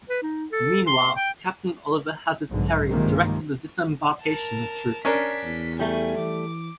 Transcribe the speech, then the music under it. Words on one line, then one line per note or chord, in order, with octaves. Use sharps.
Meanwhile, Captain Oliver Hazard Perry directed the disembarkation of troops.
B4
D#4
A4
C6
G5
B1 G#2 D3
G2 C3 D#3 F3 G#3 A#3
A#4 A5
C#4 D4 A#4 B6
E2
G3 A3 G#5
E3 D6